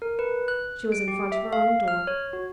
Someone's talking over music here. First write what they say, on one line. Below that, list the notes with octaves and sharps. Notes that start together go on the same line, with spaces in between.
She was in front of her own door.
A#4
B4
F#6
D7
G4
E5
F5
F6
C#5
F#4